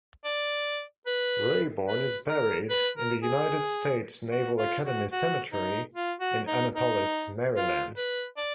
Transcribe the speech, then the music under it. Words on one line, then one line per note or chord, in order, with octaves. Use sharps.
Raborn is buried in the United States Naval Academy Cemetery in Annapolis, Maryland.
D5
B4
B4
A#4
B4
A#4
G#4
F#4
F4
F#4
F#4
D#4
F4
F#4
D#4
D#4
F4
B4
D5